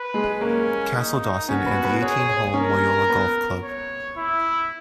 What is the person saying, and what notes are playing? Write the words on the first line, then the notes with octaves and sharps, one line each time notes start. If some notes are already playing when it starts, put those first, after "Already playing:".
Castledawson and the eighteen hole Moyola golf club.
Already playing: B4
G#3 G#4
A#3 C#4 A#4
D#4
C#4 F#4 C#5
B3 B4
B3 B4
G#4 C#5
C#5
C#5
C#4 A#4 C#5
B3 B4
C#5
E4